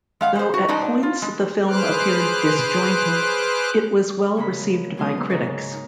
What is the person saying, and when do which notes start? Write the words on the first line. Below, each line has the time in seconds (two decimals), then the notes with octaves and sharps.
Though at points the film appeared disjointed, it was well received by critics.
0.21 G#3 F5 F#5
0.35 G#3 C5
0.54 F#4
0.68 G#3 D4 D#4 D#5
1.03 F4
1.22 G#3
1.68 G#4 B4 C5 D6 F6 F#6
4.37 C#3 G#3 A#3 B5
4.97 B2 F#3 G#3 C6 D#6
5.18 A#3
5.30 G#2 C#3
5.71 D#4